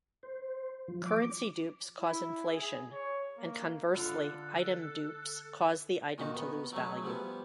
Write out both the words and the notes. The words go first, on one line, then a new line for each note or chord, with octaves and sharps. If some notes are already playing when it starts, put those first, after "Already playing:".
Currency dupes cause inflation and conversely item dupes cause the item to lose value.
C5
F3
D6
E4
G#4
C#5
A#3
D3 F4 A4 F5 F#6
A#2 D#3 D#4 F#4
B3
F#3 A3 C#4 G#4
F3 G3 B3